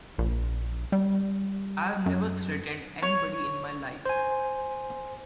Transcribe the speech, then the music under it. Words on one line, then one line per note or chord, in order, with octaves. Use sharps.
I've never threatened anybody in my life.
A#1
G3
F#2
C#5
C5 G#5